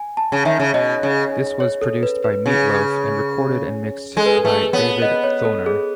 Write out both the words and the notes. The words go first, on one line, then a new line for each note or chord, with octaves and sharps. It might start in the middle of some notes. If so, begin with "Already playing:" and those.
This was produced by Meat Loaf and recorded and mixed by David Thoener.
Already playing: G#5
A5
C#3
D#3 E5
C#3
B2 D#5
C#3
C#5
A4
B4
B4
C#3
G#3 A4
B4
A4
A3 B4
B3 C#5
D#5
C#5
A4
G#4